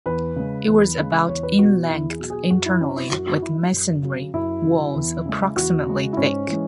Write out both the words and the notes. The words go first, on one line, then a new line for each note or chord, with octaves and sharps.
It was about in length internally with masonry walls approximately thick.
E2 B4
C#3 G#3
E2
C#3 G#3
E2 C#5
B4
B2 F#3 F#4
E2 E4
G#4
B2 F#3
G#4
F#2 F#4
E4
F#3 C#4
E4
F#2 F#4
F#4
F#3 E4
F#2
C#3 F#3
F#2 E4
C#3 F#3
E2
C#3 G#3
E2 F#4
C#3 G#3
E4
G#2 C#4
E3 G#3